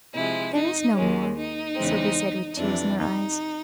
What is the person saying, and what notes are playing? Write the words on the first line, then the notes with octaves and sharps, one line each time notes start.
"There is no more!", Sylvie said with tears in her eyes.
C3 F3 G#3 E4
D#4
D#2 D#3 G#3 C#4
D#4
E2 C#3 E3 G#3 C4
F2 C3 E3 D4
D#4